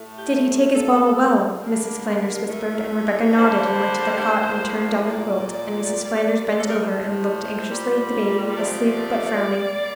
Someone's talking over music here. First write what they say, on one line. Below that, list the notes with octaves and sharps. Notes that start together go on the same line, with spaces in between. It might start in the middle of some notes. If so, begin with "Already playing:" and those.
"Did he take his bottle well?" Mrs. Flanders whispered, and Rebecca nodded and went to the cot and turned down the quilt, and Mrs. Flanders bent over and looked anxiously at the baby, asleep, but frowning.
Already playing: A2 A3
G4
C4
C3 F3 A#3 A4
A4
D3 G3 A#3 A#4
A2 A3
D3 G3 A#3 C5
A2 G3 A#3
A#2 F3 A3 D5
C3 G3 A#3
A4
A#4
A2 A3 C5
A#2 G3 A#3
C3 F3 A3 D5
C3 G3 A#3